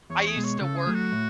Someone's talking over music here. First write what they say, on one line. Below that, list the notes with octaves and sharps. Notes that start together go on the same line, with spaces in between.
I used to work
E2 C#5
G#4
B2 G#3
C#5
C#3 A4
G#4
F#3 A3
F#4
A2